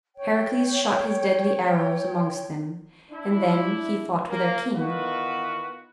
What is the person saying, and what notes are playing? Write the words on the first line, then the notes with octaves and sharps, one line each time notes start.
Heracles shot his deadly arrows amongst them, and then he fought with their king.
C#5 G5
D4 E4
A#3
D#3 E3 B3 F4 F#4 B4